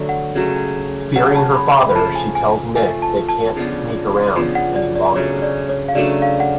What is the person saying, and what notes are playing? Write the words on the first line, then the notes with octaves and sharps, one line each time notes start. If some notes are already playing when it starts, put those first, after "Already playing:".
Fearing her father, she tells Nick they can't sneak around any longer.
Already playing: D3 F#3 A3
F#5
C#3 F#3 A3
C#3 F#3 A3 F#5
A5
B5
B5
B5
F3 A3 F4 A5
G#5
G#5
F3 A3 F4 G#5
A5
A5
C#3 F3 B3 D4
C#3 F3 B3 D4
F#5
D5
D5
C#3 F#3 A3 D4 C#5
D5
C#5
F5
C#3 F#3 A3 D4 D5
F5
F#5